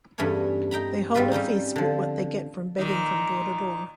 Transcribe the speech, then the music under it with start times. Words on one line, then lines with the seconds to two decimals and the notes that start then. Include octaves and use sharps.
They hold a feast with what they get from begging from door to door.
0.18 E2 G2 A3 C#4 D4 C#5
0.71 D#4 G5 A#5 B5
1.14 G#2 G3 C4 F4 B4 C6
1.32 G3 C4 C#4 D#4
1.76 D3 F3
2.78 A#2 D#3